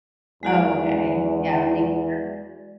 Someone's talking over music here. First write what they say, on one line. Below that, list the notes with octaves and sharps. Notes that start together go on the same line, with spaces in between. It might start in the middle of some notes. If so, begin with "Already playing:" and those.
Oh, okay. Yeah. Mean girl.
E2 G#3 F#4 D5